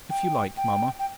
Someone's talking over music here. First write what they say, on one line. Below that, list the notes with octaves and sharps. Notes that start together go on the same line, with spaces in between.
"If you like, mama."
G5
G5
G5